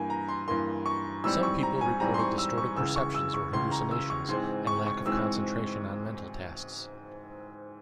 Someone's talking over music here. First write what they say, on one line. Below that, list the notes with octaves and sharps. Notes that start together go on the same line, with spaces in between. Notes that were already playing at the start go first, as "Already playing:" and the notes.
Some people reported distorted perceptions or hallucinations and lack of concentration on mental tasks.
Already playing: G2 E3 A#3 G#5
A#5
C6
G2 E3 A#3 C6
C#6
G#2 E3 G3 C4 E6
C#6
A#5
G#5
G#2 E3 G3 C4 A#5
C6
C#6
E6
C#6
C#2 C#3 E3 E6
C#6
E6
C#6
C#2 C#3 E3 C6
A#5
E6
C#6
G#2 E3 G#3 C4 C6
C#6
C#6
G#2 E3 G#3 C4 E6